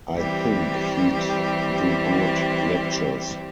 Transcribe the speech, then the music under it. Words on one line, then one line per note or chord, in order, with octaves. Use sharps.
I think he'd do good lectures.
E3 G3 C4 G4